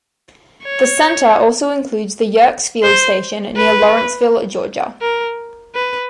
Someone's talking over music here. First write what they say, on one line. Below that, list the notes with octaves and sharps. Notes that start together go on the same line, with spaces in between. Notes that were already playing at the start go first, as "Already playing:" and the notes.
The center also includes the Yerkes Field Station near Lawrenceville, Georgia.
C#5
C5
B4
A#4
B4